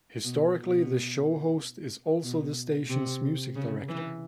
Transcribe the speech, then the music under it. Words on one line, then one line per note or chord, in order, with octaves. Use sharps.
Historically, the show host is also the station's music director.
B2
B2
B2
C3
C#3
E3